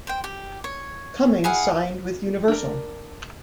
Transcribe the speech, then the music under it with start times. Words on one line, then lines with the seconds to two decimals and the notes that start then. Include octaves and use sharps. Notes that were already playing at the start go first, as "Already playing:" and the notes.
Cummings signed with Universal.
0.07 C5 G5
0.24 G4
0.64 C#5
1.44 E4 G#4 F5 F#5
2.48 D4 A#4